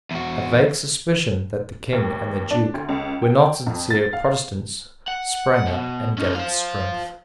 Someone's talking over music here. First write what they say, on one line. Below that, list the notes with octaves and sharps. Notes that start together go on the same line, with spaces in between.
A vague suspicion that the King and the Duke were not sincere Protestants sprang up and gathered strength.
E2 F#4
D#2
D4
D2
C#2
G5
F2
A6
F5
F#5
B2
C#4 D#4
C5 F5